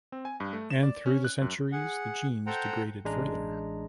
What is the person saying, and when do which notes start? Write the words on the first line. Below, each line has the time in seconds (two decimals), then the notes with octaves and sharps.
And through the centuries, the genes degraded further.
0.12 C4
0.25 G#5
0.40 G2
0.53 A3
0.70 E7
0.83 D5
1.06 C#4
1.25 F#6
1.42 F#2
1.72 G#4 F#5
2.47 A4 C5 F#5 G5 A#5
3.05 A1 G#3 D4 A#5